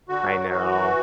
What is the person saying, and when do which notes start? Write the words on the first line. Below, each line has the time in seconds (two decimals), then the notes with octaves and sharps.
I know.
0.09 D3 F#4
0.29 F#3
0.50 E3 F#4
0.71 E3